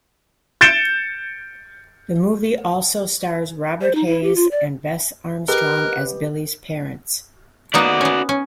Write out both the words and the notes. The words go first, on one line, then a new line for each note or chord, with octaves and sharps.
The movie also stars Robert Hays and Bess Armstrong as Billy's parents.
G6 A6 C#7 D7 E7 G7
C5
D#4
E4
G4
F4
D5
G4 A#4 B4 D#5 F#6
A#3 B3 D#4 F#4 D5
B3 C#4
C#4